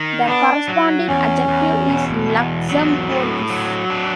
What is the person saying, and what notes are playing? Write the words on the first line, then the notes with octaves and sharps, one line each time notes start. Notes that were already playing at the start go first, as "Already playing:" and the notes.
The corresponding adjective is "Luxembourgish".
Already playing: D#3
B3 D4
F#3
E2 C#4
E2
B2
E2
F#3
A2
F#3
D4